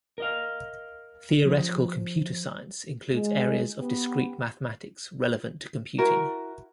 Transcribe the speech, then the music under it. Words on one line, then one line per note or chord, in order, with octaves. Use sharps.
Theoretical computer science includes areas of discrete mathematics relevant to computing.
A#4 D#5 F5
F3
G#3
B3 G4
E4 F#4 A#4